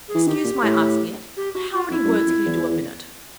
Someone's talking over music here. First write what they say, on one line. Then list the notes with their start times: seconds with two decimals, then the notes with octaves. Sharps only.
Excuse my asking it, but how many words can you do a minute?'
0.08 G#4
0.14 E3
0.26 D#3 G4
0.45 A#2
0.63 A2
1.37 G4
1.54 F#4
1.73 F4
1.90 F2 E4
2.04 G2
2.09 F#2
2.27 F2
2.46 E2